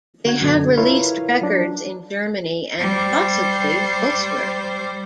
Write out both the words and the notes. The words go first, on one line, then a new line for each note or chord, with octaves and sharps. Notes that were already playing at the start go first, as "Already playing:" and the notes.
They have released records in Germany and possibly elsewhere.
D3 F#4 G#6
F#2 B2 D3
E4 F4 A#4 B4 C#5 F5
F#3 D4
G3 C5